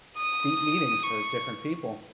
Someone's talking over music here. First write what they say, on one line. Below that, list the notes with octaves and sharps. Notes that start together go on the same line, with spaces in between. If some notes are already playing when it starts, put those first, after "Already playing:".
deep meanings for different people,
D#6
C#6